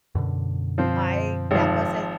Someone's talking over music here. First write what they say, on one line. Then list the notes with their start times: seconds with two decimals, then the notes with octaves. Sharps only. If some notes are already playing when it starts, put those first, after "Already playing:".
I that wasn't
0.15 F#2 B2 D3
0.78 F3 C4
1.51 G#1 F3